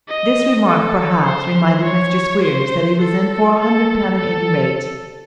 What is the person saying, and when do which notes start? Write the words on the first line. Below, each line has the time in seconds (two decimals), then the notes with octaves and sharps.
This remark, perhaps, reminded Mr Squeers that he was in for a hundred pound at any rate.
0.08 D#5
0.67 A4
1.25 C5
1.84 C#5
2.43 C5
3.01 A4
3.60 A4
4.18 A4